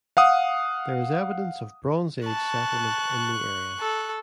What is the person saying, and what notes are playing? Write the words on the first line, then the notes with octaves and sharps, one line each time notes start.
There is evidence of Bronze Age settlement in the area.
F5 F#5 D#6
A5 C#6 F#6
A4